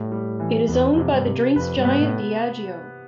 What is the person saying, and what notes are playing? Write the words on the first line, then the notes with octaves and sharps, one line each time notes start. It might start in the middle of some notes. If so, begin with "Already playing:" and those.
It is owned by the drinks giant Diageo.
Already playing: A2 G3
G3
E3
E2 B3
F2
C3
G2
C3
F2 B4
G2
B3
A2